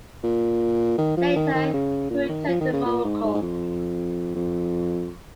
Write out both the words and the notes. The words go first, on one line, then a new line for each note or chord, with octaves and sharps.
Later he returned to Morocco.
A#2
D#3
F3
D#3
D#3
C#3
A#2
D#3
F3
D#3
C#3
A#2
G#2
G#2
G#2
F2
F2